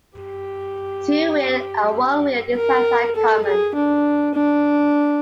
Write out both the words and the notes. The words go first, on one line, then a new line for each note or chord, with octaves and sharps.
Two wheel and one wheel designs are common.
G4
A#4
A4
G#4
D4
D4